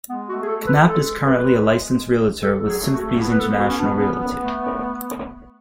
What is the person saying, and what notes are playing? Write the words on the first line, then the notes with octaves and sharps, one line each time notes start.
Knapp is currently a licensed realtor with Sotheby's International Realty.
G#3 B3
F#4
A3
G#4
A4
G#3
B4
A4
B4
A4
F#3
G#4
A3
F#4
A3
B3 E4
B4
A4
F#4
C#4
D4
C#4
A3